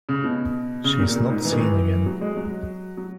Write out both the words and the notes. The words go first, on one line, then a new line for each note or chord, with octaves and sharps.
She is not seen again.
C#3
B2
C#3
A#2
A#2
G#2
E3
D#3
E3
F#3
G#3
F#3
F#3